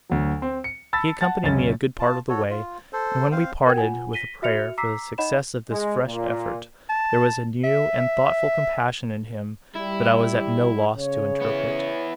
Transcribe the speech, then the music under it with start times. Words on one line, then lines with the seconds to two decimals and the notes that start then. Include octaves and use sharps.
He accompanied me a good part of the way; and when we parted, with a prayer for the success of this fresh effort, there was a new and thoughtful compassion in him that I was at no loss to interpret.
0.10 D2 F#3
0.42 C4
0.64 C#7
0.93 A5 B5 E6 A6
1.21 F#5 A5 A6
1.43 C#2 F#2 C#4 A6
2.00 F4 A5
2.29 F#4 A4 C#5
2.51 F4
2.93 A4 C5
3.32 C4 C5 F5
3.66 A#4 F#5 G5 G#6
3.78 F4 C#5 F#5 G#5
4.13 A#6 B6 D#7 G7
4.42 F#4 E5 F6 C#7 F7
4.78 A#5 D6 E6 B6 C7
5.18 D#4 C#5 D#5 F#5 B5 E7
5.70 G#3
6.04 A#2
6.89 A5
7.64 E5
9.76 G3 E4
10.96 C#3 C#5
11.42 B3 E4